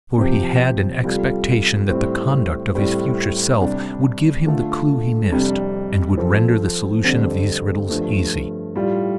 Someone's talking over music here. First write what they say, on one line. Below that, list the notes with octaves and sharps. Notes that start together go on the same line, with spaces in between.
For he had an expectation that the conduct of his future self would give him the clue he missed, and would render the solution of these riddles easy.
C3 F3 C4 G4
C3 G3 F4 A4
A2 G3 C4
A2 G3 C4
C3 G3 D4 G4
D3 A3 F4 A4
F2 C3 G3 D4
F3 C4 A4
F2 D3 G3 C4 A4
G2 F3 A3
A2 G3 F4